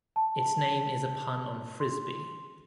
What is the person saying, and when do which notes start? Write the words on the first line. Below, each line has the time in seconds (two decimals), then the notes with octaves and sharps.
Its name is a pun on frisbee.
0.16 A5
1.80 C6